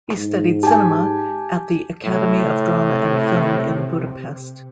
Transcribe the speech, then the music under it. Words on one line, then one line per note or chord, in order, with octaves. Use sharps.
He studied cinema at the Academy of Drama and Film in Budapest.
G#2
G4 G#5 A5
A2 C3